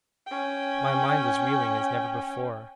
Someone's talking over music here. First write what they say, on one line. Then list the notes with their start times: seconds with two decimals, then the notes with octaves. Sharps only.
My mind was reeling as never before!
0.26 C#4 G5